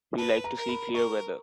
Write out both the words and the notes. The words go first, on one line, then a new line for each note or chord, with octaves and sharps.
We like to see clear weather.
B4 A5
A#5
A#4
B5
A#4 C#6